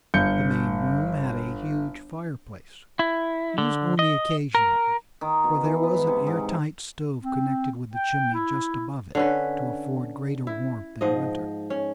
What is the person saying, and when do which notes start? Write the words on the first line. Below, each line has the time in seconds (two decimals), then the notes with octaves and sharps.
The main room had a huge fireplace, used only occasionally, for there was an air-tight stove connected with the chimney just above it, to afford greater warmth in winter.
0.14 G1 G6 C#7
2.99 E4
3.58 D3
3.99 D#5
4.55 A#4
5.21 D#3
5.44 B2
5.64 E3
5.83 B3
5.96 G#2
6.07 C3
6.27 G#2
7.21 C4
7.93 G5
8.34 E4
9.15 D3 C#4 B4
10.47 E4
11.01 G#2 F3 D#5
11.70 C#4